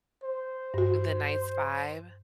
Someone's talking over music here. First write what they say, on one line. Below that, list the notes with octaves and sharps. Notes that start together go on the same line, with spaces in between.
the night's vibe?
C5
G2 F#4